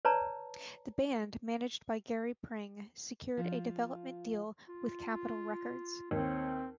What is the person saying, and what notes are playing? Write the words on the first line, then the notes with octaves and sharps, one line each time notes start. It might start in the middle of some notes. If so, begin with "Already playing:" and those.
The band, managed by Gary Pring, secured a development deal with Capitol Records.
B4 C#5 D5 A5 A#5
F3 F4
F4
D#2 C4 C#5